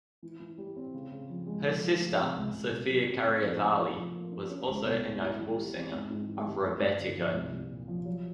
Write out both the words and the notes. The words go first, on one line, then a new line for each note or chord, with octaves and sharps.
Her sister, Sofia Karivali, was also a notable singer of rebetiko.
E3
E3
G3
C4
C#3
C#3
F3
G#3
F3
F3
A3
C4
C#2
C#2
B2
F#3
C4
A2
F3
A3
F4
F3
A#3
D4
C#4
C#2
B2
G#3
E4
E3
G3
C4
G#2
G#2
E3
G3
A3
G2
D3
F3
C2
C2
A#2
F3
F#3